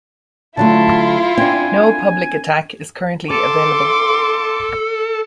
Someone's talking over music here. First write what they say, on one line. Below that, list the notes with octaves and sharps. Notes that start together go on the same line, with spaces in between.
No public attack is currently available.
D3 F#3 A3 E4 F4 A5
C4 D4 G#5
A4 C6 D6